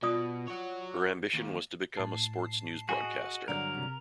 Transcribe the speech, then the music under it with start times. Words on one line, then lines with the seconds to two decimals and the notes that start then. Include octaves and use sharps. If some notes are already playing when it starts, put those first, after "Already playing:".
Her ambition was to become a sports newsbroadcaster.
0.02 B2 F4 D5 D#6
0.48 F#4 C#5
1.34 D#2
1.95 A2 A5 C7
2.89 F#4 G#4 D#5
3.48 G2 D3 F#3 A#4
3.77 C3